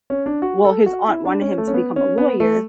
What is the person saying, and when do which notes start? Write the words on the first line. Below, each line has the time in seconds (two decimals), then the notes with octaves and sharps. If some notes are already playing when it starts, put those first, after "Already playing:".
well, his aunt wanted him to become a lawyer,
0.10 C#4
0.26 D4
0.42 F#4
0.65 A4
0.86 F#4
1.08 E4
1.25 D4
1.42 C#4
1.58 A3
1.68 C#4
1.74 B3
1.96 C#4
2.18 B3
2.40 A3